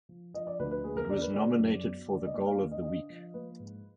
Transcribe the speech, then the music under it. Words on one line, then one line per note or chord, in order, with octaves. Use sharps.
It was nominated for Goal of the Week.
F3
F3 D#5
D5
D2 B4
B4
A#3 G#4
A#4
D3 D5
B4
G#3 D5
F#2
B3
D3
D#5
A#3 D5
F5
D3
D#5
D4 D#5
F3
A#3 B4
G#2